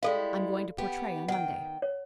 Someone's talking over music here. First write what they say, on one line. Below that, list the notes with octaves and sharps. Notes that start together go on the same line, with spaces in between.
"I am going to Portray on Monday."
G3 G#3 E4 A4 F5
B3 G4
D#3 F#5 G5
C#5